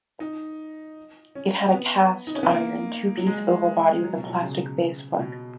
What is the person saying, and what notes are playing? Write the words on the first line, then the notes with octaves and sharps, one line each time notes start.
It had a cast-iron two-piece oval body with a plastic base plug.
D#4
C#4
B3
D#4
C#4
B3
A#3
F#3
G#3
G#3
F#3
B2
B2
C#3
B2